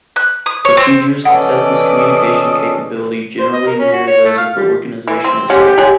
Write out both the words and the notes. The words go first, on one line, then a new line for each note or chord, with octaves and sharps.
Procedures to test this communication capability generally mirror those of the organization itself.
F#6
D#6
C#5
C4
B2 E3 C#4 A4 D5 D#5 F#5
C5
D#5
A#4
C#4
F#4
C#5
A3
F5
G3
E3
C4
G#3 C#4 G4 F#5
F#3 G#3 G#4